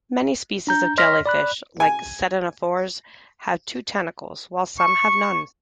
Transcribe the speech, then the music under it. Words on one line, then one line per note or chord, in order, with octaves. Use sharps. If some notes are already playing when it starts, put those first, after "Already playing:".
Many species of the jellyfish-like ctenophores have two tentacles, while some have none.
D4 A#5 G6
C#5 D#5 C6 F6 A#6 B6
D5 B5 F#6
G#5
C#6